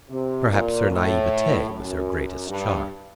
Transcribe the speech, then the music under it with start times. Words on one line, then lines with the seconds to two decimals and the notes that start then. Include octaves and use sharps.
Perhaps her naivete was her greatest charm.
0.10 C3
0.50 A#2
0.90 A2
1.69 F#2
2.48 G2